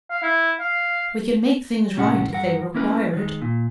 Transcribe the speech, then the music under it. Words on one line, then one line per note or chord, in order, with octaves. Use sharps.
We can make things right if they require it.
F5
E4
F5
C2 A2 C#4 D4 C5 F#5
G2 A#4 F#5
A#3 C#4 E4 A#4 B4
D#3 G#3
A#2